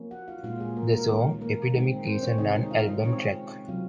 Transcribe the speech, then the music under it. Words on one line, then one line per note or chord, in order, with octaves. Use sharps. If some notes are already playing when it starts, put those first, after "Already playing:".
The song "Epidemic" is a non-album track.
Already playing: F3 A#3 C#4
F#4 F#5
F4 F5
A#2 G#3 C#4 F4 F5
G#3 G#4
A#3 A#4
A#3 A#4
D#3 G#3 C#4
A#3 A#4
D#3 G#3 C4
C4 C5
C#4 C#5
C3 D#3 G#3 C#4 D#4 D#5
D#4 D#5
F4 F5
D#4 D#5
F3 G#3 C4 C#4 C#5
C3 F#3 C#4 F4 F5